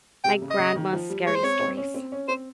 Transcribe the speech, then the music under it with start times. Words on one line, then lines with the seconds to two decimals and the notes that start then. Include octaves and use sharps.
my grandma's scary stories,
0.24 C3 G5
0.41 C#3
0.50 D#5
0.59 C#3
0.75 D#3
0.93 F3
1.09 G3
1.26 G#3 C#5
1.36 C5
1.43 C4 C#5
1.61 C4
1.77 C#4
1.94 C4
2.12 C#4
2.28 C4 C5